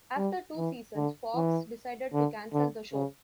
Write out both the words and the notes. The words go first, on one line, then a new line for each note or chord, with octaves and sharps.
After two seasons, Fox decided to cancel the show.
G3
E3
D3
E3
D3
D3
C#3